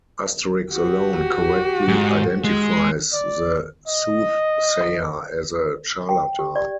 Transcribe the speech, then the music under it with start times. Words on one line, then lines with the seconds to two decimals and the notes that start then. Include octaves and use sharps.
Asterix alone correctly identifies the soothsayer as a charlatan.
0.73 F#4 G4
1.88 G#2
2.44 G#3
3.13 D5
3.87 D#5
6.09 G5
6.39 G4
6.56 D5